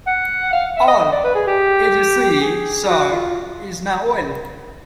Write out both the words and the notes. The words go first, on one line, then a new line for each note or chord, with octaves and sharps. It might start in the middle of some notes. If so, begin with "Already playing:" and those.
All, as you see, sir, is now well.
F#5
F5
E5
D#5
D#5
D5
B4
G#4
G4
G#4
F#4
F4